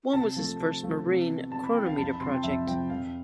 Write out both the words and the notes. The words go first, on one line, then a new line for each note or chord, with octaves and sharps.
One was his first marine chronometer project.
C3 A5
F3 A3
C3
F3 A3
C3
E3 B3
C3 A5
B5
E3 B3 G5
F5
F2 A5
B5
C3 C6
F3
G5
F2 E5
C3 F3 G5
F2 F5